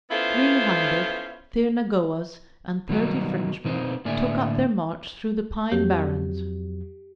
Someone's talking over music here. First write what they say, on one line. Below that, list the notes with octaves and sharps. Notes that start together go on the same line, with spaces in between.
Three hundred Thirnagoas and thirty Frenchmen took up their march through the pine barrens.
B3 C#4 E4 F4 A4 C5
B2 D#3 F#3 G3 D#4 F#4
B2 C4 D#4 C5
A2 D3 A#3 D5 E5 G#5
F2 F#3 G4